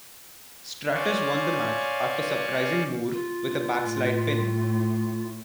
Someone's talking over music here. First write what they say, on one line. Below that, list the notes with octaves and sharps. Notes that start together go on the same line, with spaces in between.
Stratus won the match after surprising Moore with a backslide pin.
C#4 C5 D5 F5 G#5 C#6
F4
A2